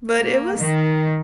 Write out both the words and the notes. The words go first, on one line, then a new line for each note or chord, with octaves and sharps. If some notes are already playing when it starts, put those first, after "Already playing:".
but it was
A#3
D#3